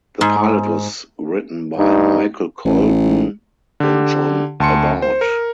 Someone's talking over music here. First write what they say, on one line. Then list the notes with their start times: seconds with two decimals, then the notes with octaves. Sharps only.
The pilot was written by Michael Colton and John Aboud.
0.21 G#2
1.77 G2 D#4
2.65 A1
3.80 D3 G4
4.60 D2 A5 C6 C#7
5.02 C5
5.21 A#4